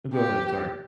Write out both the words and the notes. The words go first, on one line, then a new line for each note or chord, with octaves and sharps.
You go ahead, sorry.
G4